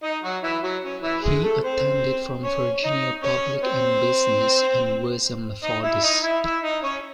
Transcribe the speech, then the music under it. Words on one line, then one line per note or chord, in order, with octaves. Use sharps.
He attended from Virginia public and business, and was a Methodist.
D#4 D#5
F#3 F#4
E3 E4
F#3 F#4
C#4
E3 E4
G#3 G#4
A3 A4
C4 C5
C#4 C#5
D#4 D#5
C#4 C#5
C4 C5
D#4 D#5
E4 E5
D#4 D#5
E4 E5
E4 E5
D#4 D#5
C#4 C#5